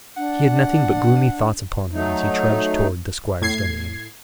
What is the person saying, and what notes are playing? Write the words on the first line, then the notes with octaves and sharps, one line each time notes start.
He had nothing but gloomy thoughts upon him as he trudged towards the Squire's domain.
D4 F#5
F#3 A3 D#4
A2 G#6 C7